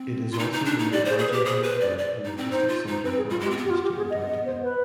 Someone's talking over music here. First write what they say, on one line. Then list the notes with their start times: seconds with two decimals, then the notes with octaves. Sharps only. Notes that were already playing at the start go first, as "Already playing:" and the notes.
It is also the main Argentine port and logistics center for access to Antarctica.
Already playing: C4
0.32 F4
0.39 D#4
0.52 D#4
0.65 D4
0.79 D#4
0.92 G4 D5
1.05 G#4 C5
1.19 G#4
1.28 B4
1.32 G4
1.45 G#4 C5
1.63 B4
1.80 D5
1.98 D5
2.25 D#4
2.37 C4
2.51 D#4 C5
2.69 F4
2.87 D#4
3.04 C4 B4
3.17 G#4
3.30 G3 F4
3.40 G#3 G4
3.51 C4
3.57 B3
3.65 G4
3.70 F4
3.84 G4
3.97 G#4
4.10 D#5
4.28 D#5
4.45 C5
4.63 B4